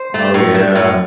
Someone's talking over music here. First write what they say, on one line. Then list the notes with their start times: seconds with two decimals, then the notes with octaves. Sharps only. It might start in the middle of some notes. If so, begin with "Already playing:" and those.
Oh, yeah.
Already playing: C5
0.14 A3
0.34 A2
0.55 A3
0.76 A2